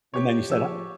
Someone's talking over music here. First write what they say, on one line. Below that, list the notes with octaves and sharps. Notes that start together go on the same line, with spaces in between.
and then you said I
G4 C#5
F3 G#4 E6